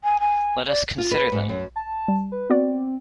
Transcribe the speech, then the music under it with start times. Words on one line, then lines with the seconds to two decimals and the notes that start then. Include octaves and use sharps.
Let us consider them!
0.04 G#5
0.20 G#5
0.68 D5
0.98 F4
1.11 B4
1.32 G#2
1.49 F#2
1.76 A5
2.08 G3
2.32 B4
2.50 B3 C4 F#4 D5